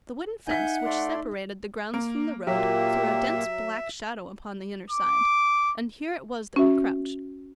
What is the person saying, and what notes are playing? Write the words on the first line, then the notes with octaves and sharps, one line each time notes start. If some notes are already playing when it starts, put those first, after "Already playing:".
The wooden fence which separated the grounds from the road threw a dense black shadow upon the inner side, and here it was that we crouched.
D#4 E5 F#5 G#5 G6 B6
A3 D5 C6
A#3
A#2 F#3 A#3 G4 E5
D6
C#4 F#4 E5